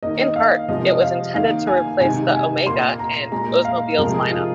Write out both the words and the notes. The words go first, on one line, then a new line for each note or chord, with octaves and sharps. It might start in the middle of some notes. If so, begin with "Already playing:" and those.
In part, it was intended to replace the Omega in Oldsmobile's lineup.
D#3 A#3 D#5
F5
C3 F3 G#3 D#5
F5
D#3 A#3 F5
G#5
C3 D#3 G#3 G#5
G#5
A#2 A#3 C6
A#5
A#2 G#3 A#5
F5
C3 F3 G#3 A#4
G#4
F4